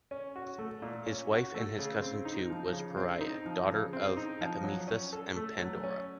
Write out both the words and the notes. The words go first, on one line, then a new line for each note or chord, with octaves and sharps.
His wife, and his cousin too, was Pyrrha, daughter of Epimetheus and Pandora.
C#4
F#4
A3
A#2
C#4
F#4
A3
C#3
C4
D#4
F3
C#3
C4
D#4
F3
C#3
C4
D#4
F3
F#3
C#4
A4
A3
F#3
C#4